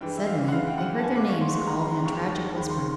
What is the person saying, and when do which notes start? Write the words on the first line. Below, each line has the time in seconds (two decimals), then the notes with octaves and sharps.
Suddenly they heard their names called in a tragic whisper!
0.01 G2 E3 G#3 G5
0.17 E5
0.27 F5
0.48 F#5
0.51 G2 E3 G#3 F5
0.67 G5
0.78 F#5
0.98 A5
1.03 G2 E3 G#3 G#5
1.16 D6
1.29 C#6
1.41 C6
1.48 C#6
1.54 G2 E3 G#3 C6
1.67 A#5
1.79 B5
1.92 C6
2.05 D#2 D#3 G#3 C#6
2.22 C#6
2.56 D#2 D#3 G#3 B5
2.69 C6